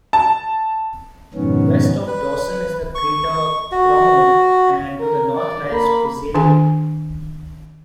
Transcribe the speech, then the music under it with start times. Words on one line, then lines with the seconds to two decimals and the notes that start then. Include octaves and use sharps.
West of Dawson is the crater Crommelin, and to the north lies Fizeau.
0.13 A5
1.34 F2 G#2 B2 D#3 B3 C#4
2.07 B4
2.95 C#6
3.71 F#4
4.99 A#4
5.35 D5
5.68 A#3 B5
6.34 D#3 D4 G#4 G#5